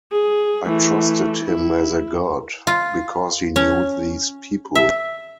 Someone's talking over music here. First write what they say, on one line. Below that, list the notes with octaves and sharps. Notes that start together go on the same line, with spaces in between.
I trusted him as a god, because he knew these people.
G#4
E3 A3
E4
F4
C#4
E5